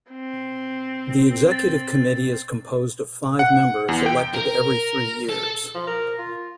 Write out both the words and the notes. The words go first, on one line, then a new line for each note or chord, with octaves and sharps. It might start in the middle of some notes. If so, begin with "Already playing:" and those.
The executive committee is composed of five members elected every three years.
C4
A6
F#5
E2
G5
A#4
A4
F3
A#4
F4